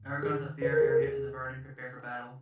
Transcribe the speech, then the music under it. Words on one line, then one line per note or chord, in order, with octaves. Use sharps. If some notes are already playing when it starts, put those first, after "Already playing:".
Eragon, Saphira, Arya, and the Varden prepare for battle.
Already playing: G#2
D#3 G#4
D#2 B4
A#4
G#4
A#4
D#2 G#4